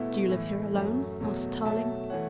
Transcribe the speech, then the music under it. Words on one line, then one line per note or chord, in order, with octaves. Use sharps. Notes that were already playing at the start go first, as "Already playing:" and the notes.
"Do you live here alone?" asked Tarling.
Already playing: B2 A3 B3 E4
A2 E3 A3
F#2 F#3 A3
E2 B2 F#3 A3
B2 F#3 A3 E5 A5
E3 A3 C#5 F#5